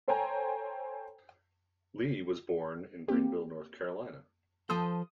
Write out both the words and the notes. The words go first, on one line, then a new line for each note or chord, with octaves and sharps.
Lee was born in Greenville, North Carolina.
A4 C5 C#5 G5 G#5 A#5
A#3 C4 G4
F3 A4 C5 D#6